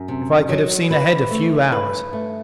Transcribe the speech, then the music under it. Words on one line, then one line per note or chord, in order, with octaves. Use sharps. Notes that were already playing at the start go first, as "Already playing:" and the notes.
If I could have seen ahead a few hours!
Already playing: F#2
C3
F#3
E3 B4
A3
G2 B4
A3